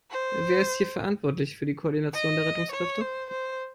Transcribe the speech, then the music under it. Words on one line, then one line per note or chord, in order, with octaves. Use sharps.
Wer ist hier verantwortlich für die Koordination der Rettungskräfte?
C5
D#5
C#5
C5
C5